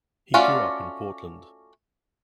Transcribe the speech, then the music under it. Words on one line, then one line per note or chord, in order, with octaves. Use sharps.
He grew up in Portland.
A3 C#4 F4 F#4 D5